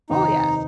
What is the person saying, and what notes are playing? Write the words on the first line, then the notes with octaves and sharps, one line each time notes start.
Oh, yes.
F1 D#2 D#3 C4 D#4